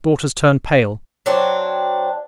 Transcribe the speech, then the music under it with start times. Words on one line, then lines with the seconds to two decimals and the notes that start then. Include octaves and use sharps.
Daughters turn pale.
1.26 F#3 C4 D4